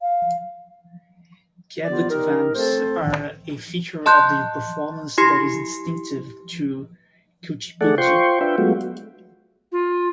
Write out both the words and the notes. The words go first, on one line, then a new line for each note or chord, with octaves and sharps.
Kavutvams are a feature of the performance that is distinctive to Kuchipudi.
F5
F3 B3 F4 G4 D5
D#4 G4 A#4
A3 C4 A4 C5
D#3
D#5 A5 C6 F#6 G6
E4 G4 C6 A#6 C7 C#7
A3 G#4 A4 D5 F#5
F4 C5 G5 C6 C#6
D4 F4 B4 E5 G5
F#3 G#3 A3 B3 F4 F#4
F4